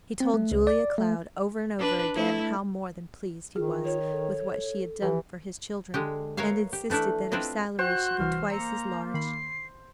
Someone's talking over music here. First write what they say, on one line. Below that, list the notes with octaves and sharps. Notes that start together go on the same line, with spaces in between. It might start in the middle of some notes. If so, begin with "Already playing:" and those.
He told Julia Cloud over and over again how more than pleased he was with what she had done for his children, and insisted that her salary should be twice as large.
C4
A3
C#2
D5
A3
D4 B4
A3 E4 A4
D#3 F4 G#4
C#5
A4
E3 G4 B4
D3 G#3 G4
A#4 B4 C#5 E5 F5
G4
E3 A3 D4 E4
C4 D4 E4 F4 B4 D#5
F#4 C5 G5 F#6
C2 E3 F6
A#3 A#5 E6 C#7
D#3 B5 C7